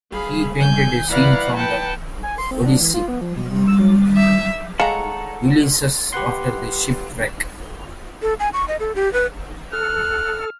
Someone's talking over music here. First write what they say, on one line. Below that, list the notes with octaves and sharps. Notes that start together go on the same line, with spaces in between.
He painted a scene from "The Odyssey", "Ulysses after the Shipwreck".
G#4 F5 B5
G#5 G6
E4 B4 D5 F5 F#5 A#5
B4 F#5 G5 A5 A#5
G#5
C6
C4
D4
E3
F4
B3
F3
B2
C3
E6
F#3
E5
G#3 A4 C#5 F5 F#5 A5 A#5
G4 B4 F#5 C6
A4
G#5
C#6
D#5
A4
G4
B4
A4 F6 F#6